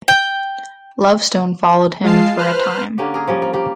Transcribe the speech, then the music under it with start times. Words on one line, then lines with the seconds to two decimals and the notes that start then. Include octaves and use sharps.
Lovestone followed him for a time.
0.08 G5
2.03 G#3 F4 F5 A5 C7
2.37 B4 C5 F6 F#6
2.98 D3 A#3 C#4 G4
3.14 G#4 A#4
3.27 F3 G3 C#4
3.42 A#3
3.53 A#3 G4